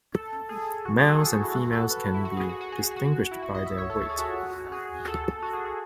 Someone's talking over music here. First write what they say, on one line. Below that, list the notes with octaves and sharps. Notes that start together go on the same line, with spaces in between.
Males and females can be distinguished by their weight.
A4
G#4
F#4
G#4
A4
G#4
F#4
E4
F#4
A4
B4
E4
F#4
G#4
F#4
F#4
G#4
F#4
G#4
F#4
E4
F#4
D#5
E5
C#5
A4
A4
G#4
F#4
G#4
A4
A4
F#4
G#4
F#4